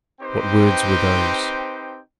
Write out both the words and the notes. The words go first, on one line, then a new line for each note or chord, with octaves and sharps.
What words were those?
C4 D#4 G4 B4 C5 G5